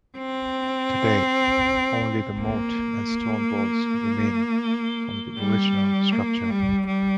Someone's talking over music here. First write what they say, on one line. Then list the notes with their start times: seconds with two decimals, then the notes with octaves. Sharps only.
Today, only the moat and stone walls remain from the original structure.
0.18 C4
2.41 A#3
5.39 G3
6.13 A#3
6.50 G3
6.87 G3